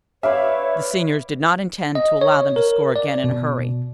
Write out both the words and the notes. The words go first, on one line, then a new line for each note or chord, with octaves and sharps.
The seniors did not intend to allow them to score again in a hurry.
B4 C#5 D5 E5 F5
D#5
C#5
A#4
D5
B2